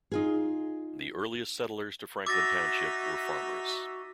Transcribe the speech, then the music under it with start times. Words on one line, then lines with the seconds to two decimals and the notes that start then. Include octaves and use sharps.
The earliest settlers to Franklin Township were farmers.
0.12 D#4 F4 G#4
2.26 D#4 F#4 E5 D6 E6 A6 A#6